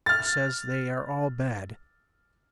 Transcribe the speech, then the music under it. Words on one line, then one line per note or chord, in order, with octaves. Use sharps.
He says they are all bad.
F6 A6